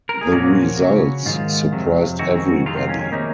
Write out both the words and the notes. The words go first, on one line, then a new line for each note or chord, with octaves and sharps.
The results surprised everybody.
A#4
G#4
A#2 F3 A#3 C#4 F#4
C#3 F#3 C#4
G#2 D#3 G#3 F4
F2 C3 F#3
F2 D#3 G#3 C4 F#4
F2 C3 D#3 G#3 C4 F4
F4
C#4
C#4
C3 D#3 A#3 C#4 D#4